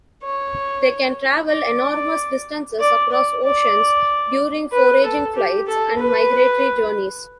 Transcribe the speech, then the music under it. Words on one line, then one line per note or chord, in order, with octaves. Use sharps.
They can travel enormous distances across oceans during foraging flights and migratory journeys.
C#5
D5
D5
D5
D5
B4
A4
G4
A4
B4